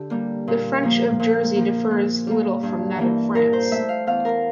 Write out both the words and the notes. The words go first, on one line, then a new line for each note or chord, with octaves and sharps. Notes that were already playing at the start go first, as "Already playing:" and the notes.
The French of Jersey differs little from that of France.
Already playing: D3 G4
G3 A#3
A#2
F3 A#3
A#2
F3 A#3
A#2
G3 A#3
G2
E3 G3 A#3
A#2 A#4
C5
A3 E5
F5
E2 F5
A#4